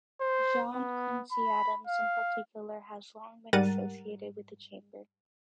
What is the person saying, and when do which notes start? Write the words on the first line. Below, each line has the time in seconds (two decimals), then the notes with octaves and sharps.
John Quincy Adams, in particular, has long been associated with the Chamber.
0.21 C5
0.73 B3
1.32 B5
1.87 F5
3.53 G#2 G3 A#4 F#5 A6 D#7